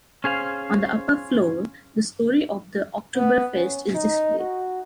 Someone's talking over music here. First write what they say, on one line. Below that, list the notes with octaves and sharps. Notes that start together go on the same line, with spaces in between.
On the upper floor, the story of the Oktoberfest is displayed.
C#4 G#4 C5 F5
B3
C#4
D#4
F#4